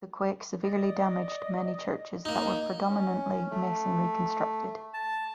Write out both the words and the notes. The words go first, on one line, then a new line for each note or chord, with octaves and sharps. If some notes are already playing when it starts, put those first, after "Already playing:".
The quake severely damaged many churches that were predominantly masonry constructed.
D5 D#5
A#3 D#4
C#4
A3
A5